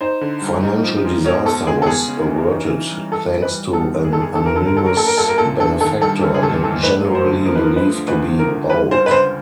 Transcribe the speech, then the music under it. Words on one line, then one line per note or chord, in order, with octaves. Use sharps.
Financial disaster was averted thanks to an anonymous benefactor, generally believed to be Boult.
D#4 C5
D3
G3
D#4
F3
G#3
B2 C#5
B2 A4
G#3 G#4
A4
B3 G#4
C#3
E3
D#4
E3
G3
E3 A4
E3
B4
G3
B3 A4
F#2
G#4
D#3 A4
G#4
D3 A4
A#4
D3 A4
A#4
F#3 A4
A#4
A#3 A4
A#4
C2 A4
A#4
A#2 A4
D4 A4
D#3 A4
G3 A4
C#4 A4
G#4
G#2 A4
E3 A4
A3 B4
F2
C5
D3
F3 A#4
B4
A#4
F3
B4
A3
D2 B4
D2
A#4
D3
G3 B4
C#2 C5
B4
C#3 C5